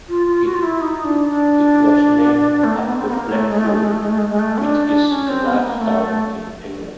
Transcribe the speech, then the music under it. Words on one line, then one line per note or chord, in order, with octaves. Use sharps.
It was named after Blackpool, which is a large town in England.
F4
F4
F#4
F4
E4
D#4
D4
D4
A3
A#3
B3
C4
B3
A#3
A3
G#3
A3
G#3
A3
G#3
A3
G#3
A3
G#3
G#3
A3
C#4
D4
D4
C#4
C4
B3
A#3
A#3
A3